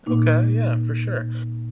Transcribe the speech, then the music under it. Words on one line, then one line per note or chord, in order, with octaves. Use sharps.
Okay, yeah, for sure.
A#2 A#3 D#4